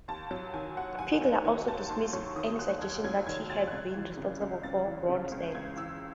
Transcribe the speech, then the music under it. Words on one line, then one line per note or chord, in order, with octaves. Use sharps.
Pegler also dismissed any suggestion that he had been responsible for Broun's death.
D#2 A5
F#3 A5
D#3 G#5
D#2 F#5
D#2 G#5
F#3 F#5
D#3 G#5
D#2 A5
D#2 C6
F#3 C#6
D#3 D#6
D#2 F#6
D#2 G#6
F#3 G#6
D#3 G#6
D#2 A6
F#6
C#2 G#6
E3
C#3
C#2
C#2 A6
E3
C#3
C#2
C#2 G#6
E3 E6